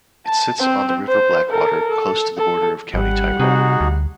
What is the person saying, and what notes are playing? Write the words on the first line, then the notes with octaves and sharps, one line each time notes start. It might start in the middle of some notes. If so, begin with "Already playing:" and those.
It sits on the River Blackwater, close to the border with County Tyrone.
A5
C4 C5
C5
A4 A#4
A4
A4
G#1 G3 F#5
C3 D#4 F#4 G#4
D2